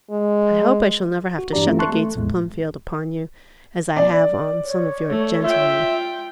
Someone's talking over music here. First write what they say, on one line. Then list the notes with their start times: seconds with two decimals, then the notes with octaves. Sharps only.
I hope I shall never have to shut the gates of Plumfield upon you, as I have on some of your "gentlemen".
0.11 G#3
1.39 F#4
1.53 G2 E3 D4 G4 D5 A#5
1.66 E3 F#3 A3 C4 C#4 F4
1.78 E5 A5 C6 C#6 F#6
1.93 A3
2.16 A#1 E2 A2 G#3
3.97 D5
4.63 C#5
5.10 A3
5.44 F4 E5 G5